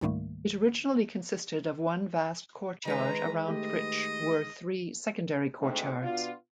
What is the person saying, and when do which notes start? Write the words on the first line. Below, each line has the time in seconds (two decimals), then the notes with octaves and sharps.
It originally consisted of one vast courtyard around which were three secondary courtyards.
0.01 C#2 G#2 D#3 G3 A3 A#3
2.85 D#3 G#3 B4 A#5
3.48 A3 G4 D#5
5.60 D2 G#2 C4
6.01 B2 B3 D4 F4